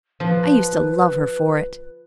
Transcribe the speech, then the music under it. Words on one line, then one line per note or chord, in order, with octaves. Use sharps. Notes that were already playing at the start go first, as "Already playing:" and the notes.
I used to love her for it.
F3 B4